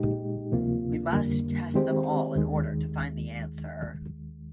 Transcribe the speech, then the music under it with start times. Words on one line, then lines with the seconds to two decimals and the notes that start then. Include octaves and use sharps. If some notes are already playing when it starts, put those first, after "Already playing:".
We must test them all in order to find the answer.
Already playing: A#2 G#3 D#4 G4
0.52 D2 C3 F3 A#3 F4
1.13 F2 D3 G3 A#3
1.74 D#3 G#3 C4 G4 C5
2.36 D#2 D#3 G#3